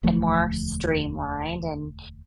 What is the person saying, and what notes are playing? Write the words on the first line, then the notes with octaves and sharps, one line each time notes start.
and more streamlined, and
E1 D2 F3 A3